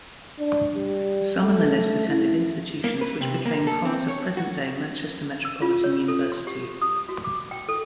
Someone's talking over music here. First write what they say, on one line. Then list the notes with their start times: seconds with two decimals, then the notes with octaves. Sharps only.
Some in the list attended institutions which became part of present-day Manchester Metropolitan University.
0.39 D4
0.74 G3
1.43 A3
2.08 E4
2.84 A#3
3.01 B4
3.21 C3
3.45 A#3
3.67 A4
3.85 C4
4.08 C#5
4.37 F#4
5.45 E6
5.62 F4
5.84 C#5
6.08 A4
6.32 C6
6.47 G4
6.82 D#6
7.09 F#4
7.24 D6
7.51 G5
7.69 A4